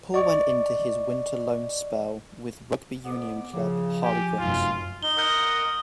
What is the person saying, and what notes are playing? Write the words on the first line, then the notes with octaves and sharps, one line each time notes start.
Paul went into his winter loan spell with rugby union club Harlequins.
D5 D#5 C#6 D6
F2 B3 D6
C#3 F3
G4 G#5
F1 F#2 D#4 F4
D#4 G7
A#4 D#5 F#5 D#6 G6